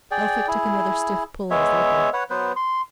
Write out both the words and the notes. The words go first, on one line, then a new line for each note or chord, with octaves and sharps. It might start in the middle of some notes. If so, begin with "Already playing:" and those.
Elphick took another stiff pull at his liquor.
G#4 D5 G5
E4 G#4
G#3 B3 C#5 E5
B4 C#5 F#5
F#3 B3 B4 C5
C6